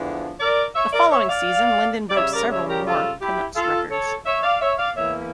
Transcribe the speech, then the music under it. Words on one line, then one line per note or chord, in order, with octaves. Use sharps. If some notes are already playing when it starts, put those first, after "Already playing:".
The following season, Linden broke several more Canucks records.
Already playing: E2 D3 F3
A#4 D5
C#5 E5
A#4 D5
C#5 E5
D5 F5
D5
C#3 G3 C#4 C#5 E5
A#4 D5
C#5 E5
G4 A#4
F4 A4
E4 G4
F4 A4
A4 C#5
C#5 E5
D5 F5
C#5 E5
D5 F5
E2 E3 A#3 C#5 E5